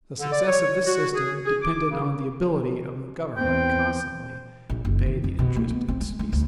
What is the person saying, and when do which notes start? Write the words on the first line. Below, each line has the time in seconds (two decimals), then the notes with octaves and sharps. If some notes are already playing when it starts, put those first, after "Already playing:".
The success of this system depended on the ability of the Government constantly to pay the interest in specie.
0.19 D3
0.32 D5
0.47 C#5
0.86 F#4
1.14 G#4
1.45 G#4
1.62 D6
1.89 C#3
3.37 E2 C4 G5
4.70 A#1
4.85 F#1
5.06 D#3
5.24 F2
5.39 B2
5.56 A#3
5.70 B3
5.88 C4
6.01 G#3
6.19 G#3
6.33 D2